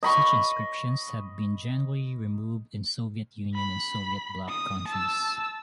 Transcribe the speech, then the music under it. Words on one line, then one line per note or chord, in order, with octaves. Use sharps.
Such inscriptions have been generally removed in Soviet Union and Soviet block countries.
D#5 B5 C#6
B5
D#6
A5 E6